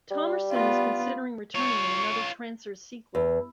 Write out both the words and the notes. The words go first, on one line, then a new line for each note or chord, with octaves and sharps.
Thomerson is considering returning in another "Trancers" sequel.
G3
B3 F4
F4 C#5 C#6
E2